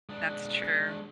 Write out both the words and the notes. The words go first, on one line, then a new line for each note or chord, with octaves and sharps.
That's true.
G#3 D4